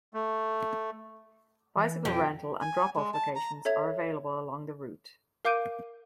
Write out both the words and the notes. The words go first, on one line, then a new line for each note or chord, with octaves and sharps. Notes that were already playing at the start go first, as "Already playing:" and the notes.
Bicycle rental and drop off locations are available along the route.
A3
E3
F2 G5
G#5
G#3
A5
A#5
A4 C#5 E5 G#6 F7
A#4 F5 D6 G6 D7 D#7